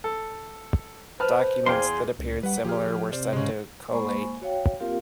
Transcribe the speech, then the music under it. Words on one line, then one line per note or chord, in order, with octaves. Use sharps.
Documents that appeared similar were said to "collate".
A4
B4 C5 A5 F6
E2 G#4 F5 G5 C6
C#2
G3 B4 F#5
F3 G4 G#4 F6
C3 C5 D5
G#2 C#3 G#3
G#3 A#3 C5 G#5 B5 C#6
F#4 C#5 F5 G5
A#3 C4 F4 G4 A#4 F5